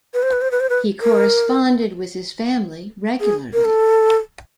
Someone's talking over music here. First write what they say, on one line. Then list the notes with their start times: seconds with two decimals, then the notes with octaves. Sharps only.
He corresponded with his family regularly.
0.14 B4
0.23 C5
0.32 B4
0.42 C5
0.51 B4
0.60 C5
0.70 B4
1.01 A#4
3.21 G#4
3.53 A#4
3.65 A4